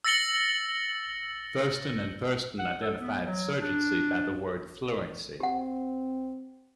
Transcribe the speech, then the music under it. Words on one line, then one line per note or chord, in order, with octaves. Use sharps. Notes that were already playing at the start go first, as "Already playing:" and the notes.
Thurstone and Thurstone identified surgency by the word "fluency".
E6 A6 A#6 C#7 F#7 G7
F#5
A4
B3
F#3
D4
C4 G4 F#5